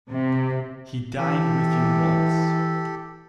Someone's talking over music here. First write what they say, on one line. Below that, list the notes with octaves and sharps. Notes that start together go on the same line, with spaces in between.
He dined with you once.
C3
E3 G4 A4